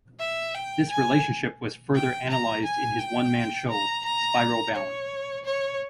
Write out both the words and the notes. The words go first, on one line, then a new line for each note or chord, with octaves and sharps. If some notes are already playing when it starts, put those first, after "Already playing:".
This relationship was further analyzed in his one-man show "Spiral Bound".
E5
G5
G#5
G5
A#5
G#5
G5
A#5
A#5
C#5
C#5